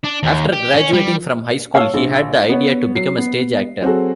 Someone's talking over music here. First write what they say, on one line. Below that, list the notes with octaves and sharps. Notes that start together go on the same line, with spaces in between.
After graduating from high school, he had the idea to become a stage actor.
D4
D#2
G4
C#4
G3
C#5 F5 A5 E6
A#1
B3 C#5
F#3 C7
B3
F#3 C4 F#4 G#4 A4